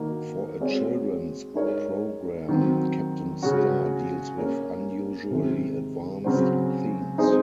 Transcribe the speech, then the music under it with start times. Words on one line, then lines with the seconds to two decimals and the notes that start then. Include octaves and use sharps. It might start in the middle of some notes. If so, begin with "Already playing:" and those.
For a children's program, Captain Star deals with unusually advanced themes.
Already playing: D#3 A#3 D#4 F#4
0.60 G#3 C4 F#4 C#5
1.54 G#3 D#4 A#4 C#5
2.49 D#3 F#3 C4
3.43 C#3 G#3 C#4 F#4
4.36 A#3 C#4 G#4
5.31 C3 D#3 G#3 C4
6.24 C#3 F#3 C4 F#4 C5
7.18 G#3 C4 D#4 G#4 C5